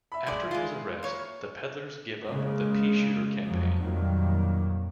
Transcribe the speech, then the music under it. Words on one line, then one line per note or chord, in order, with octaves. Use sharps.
After his arrest, the peddlers give up the Pea-Shooter Campaign.
E5 B5
G#3 D5
G#3 F4
A#3 C#5
C#3 G#3 A#3
F2 F3 F#3
F2 A#2 D#3 F#3 G3 A#3